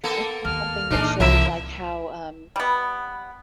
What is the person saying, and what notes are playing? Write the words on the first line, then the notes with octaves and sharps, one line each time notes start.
I think something that showed, like, how, um,
A#3 B3 A4
D#2 F6
A#2 E3 G#3 D4 D#4
C2 E3 A#3 A#4 E5
G3 B3